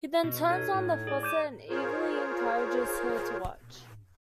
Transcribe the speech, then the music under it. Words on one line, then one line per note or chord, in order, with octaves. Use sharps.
He then turns on the faucet and eagerly encourages her to watch.
B2
D#4 A4 C#5 G#6
A2
G#4 D5
D6 G6 D#7
F4 G#4 A#4 C5 C#5